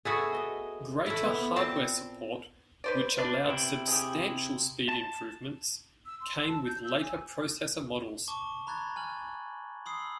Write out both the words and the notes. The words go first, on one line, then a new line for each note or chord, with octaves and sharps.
Greater hardware support, which allowed substantial speed improvements, came with later processor models.
A3 B3 F#4 G#4
D#5
A3 E4
B3
A#2 C4 A5
B4 C5 D5
D4 B4 D5
C3 E4 G5
G4 G#4
A5
E6
C6
E6
A5
G6
E6
G#5
A5 C#6 D6 G7
A#5 B5 F#6 G#6 A6
G#5 F6 F#7
B5 C6 D#6 E6 C7